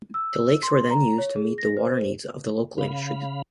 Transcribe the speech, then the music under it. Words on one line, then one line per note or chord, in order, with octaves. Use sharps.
The lakes were then used to meet the water needs of the local industries.
E6
C6
A#5
C#5
G#4
A#6
C5
C#3 F5 B5